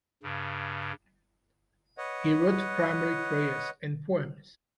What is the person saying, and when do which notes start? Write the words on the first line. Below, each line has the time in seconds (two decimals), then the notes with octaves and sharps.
He wrote primarily prayers and poems.
0.23 G2 C#3
1.98 B4 C#5 D#5 F#5